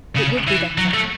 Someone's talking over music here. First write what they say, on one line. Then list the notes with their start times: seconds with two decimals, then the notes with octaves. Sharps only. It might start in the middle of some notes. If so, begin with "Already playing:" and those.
It would be better.
0.17 C#3
0.47 E3
0.78 F#3
0.94 A3